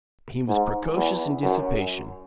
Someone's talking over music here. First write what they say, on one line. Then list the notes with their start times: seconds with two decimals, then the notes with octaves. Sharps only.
He was precocious in dissipation.
0.48 G#2
0.96 E2
1.43 F#2